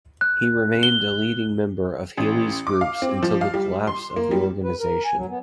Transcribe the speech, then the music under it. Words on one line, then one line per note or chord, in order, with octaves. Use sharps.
He remained a leading member of Healy's groups until the collapse of the organisation.
F#6
G7
A1
D6
F5
C4
F3
F5
G3
C6
A#3
G3
B4
A#4
G#5
F#3
B3